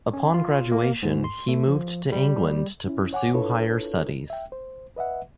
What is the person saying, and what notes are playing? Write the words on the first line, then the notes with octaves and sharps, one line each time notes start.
Upon graduation, he moved to England to pursue higher studies.
C#4
F4
A#3
G#2
C6
A3
F3
G3
C#4 E4
C#5 F#5 G#5 D6
D4 E4 F4 A4 B4 C#5
E5 G5
C5
B4 D#5 E5 F#5